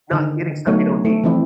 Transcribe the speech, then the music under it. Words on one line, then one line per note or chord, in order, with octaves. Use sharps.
not getting stuff you don't need.
D3 D#3
F#3 A3 B3 D#4 C#5
A3
E3 F3 C4 E4